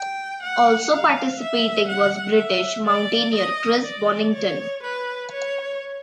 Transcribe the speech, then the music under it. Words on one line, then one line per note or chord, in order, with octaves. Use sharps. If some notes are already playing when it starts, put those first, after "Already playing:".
Also participating was British mountaineer Chris Bonington.
Already playing: G5
F#5
F5
E5
F#5
E5
D5
D#5
D5
C#5
B4
C#5